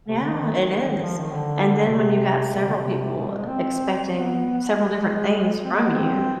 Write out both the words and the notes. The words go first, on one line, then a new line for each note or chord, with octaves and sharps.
Yeah, it is, and then when you've got several people expecting several different things from you
C3
D3
D#3
D#3
F3
D#3
D3
B2
C3
C3
D3
C3
B2
G3
G#3
C4
B3
G#3
C4
G#3
B3
C4